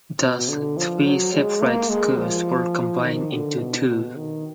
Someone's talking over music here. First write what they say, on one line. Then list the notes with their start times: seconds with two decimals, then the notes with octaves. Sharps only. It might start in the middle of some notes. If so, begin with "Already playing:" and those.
Thus, three separate schools were combined into two.
0.21 B2
0.50 D3
0.77 F3
1.05 F#3
1.33 G#3
1.61 A#3
1.89 G#3
2.18 F3
3.03 D#3
3.31 D3
3.59 B2
3.87 B2
4.16 D#3